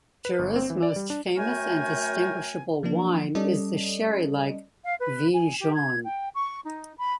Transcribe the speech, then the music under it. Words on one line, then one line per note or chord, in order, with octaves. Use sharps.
Jura's most famous and distinguishable wine is the sherry-like "vin jaune".
B4
G1
C4
E3
D5
G3
D4
F#2 A3 F#4 A#4 G5 G#5
F3 A#3 D4
G3 C#4 A4 D5 D#5
F5
B4
G#5
G4
G#6
G5
C#6
D#4
B5